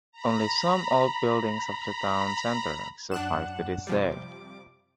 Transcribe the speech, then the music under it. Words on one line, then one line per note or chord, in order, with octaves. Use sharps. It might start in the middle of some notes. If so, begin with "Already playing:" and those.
Only some old buildings of the town centre survived to this day.
A#5 B5
F#2 D4 F#5 F#6 E7
C3 F3 G3 D6